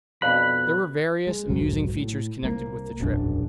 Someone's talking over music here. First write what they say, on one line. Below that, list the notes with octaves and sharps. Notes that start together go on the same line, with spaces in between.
There were various amusing features connected with the trip.
F2 B2 F3 D4 B5 F#6
G#3
F1 B1 G#2 F#3
A2
C2 A#3
E1 A#1 F#2 D4